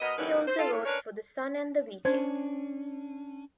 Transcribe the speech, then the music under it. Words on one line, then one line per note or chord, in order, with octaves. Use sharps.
He also wrote for the "Sun" and the "Weekend".
B2 B3 A#4 D#5
G2 D3 E3 A#3 C#4 B4
C5
F4 A4
A2 C#5
C#4 D4 A#4 B4 C#5
C#4 D4 C5 C6 G#6